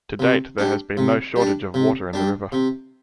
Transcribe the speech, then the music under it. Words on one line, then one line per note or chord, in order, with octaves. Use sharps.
To date, there has been no shortage of water in the river.
C3
G3 D4
C3
G3 D4
C3
G3 D4
C3